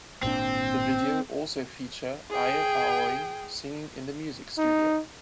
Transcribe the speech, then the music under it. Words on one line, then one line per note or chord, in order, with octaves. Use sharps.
The video also feature Eir Aoi singing in the music studio.
G#1 A#2 C4 D4
G#4 G5
D#4